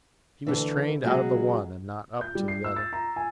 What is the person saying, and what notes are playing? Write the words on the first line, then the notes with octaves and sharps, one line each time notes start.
He was trained out of the one and not up to the other.
D2 D3 E3
C#3 F#3 G#3 E4 F#4 G#4
G6
G3
C7
E6
A6
A#5
G#5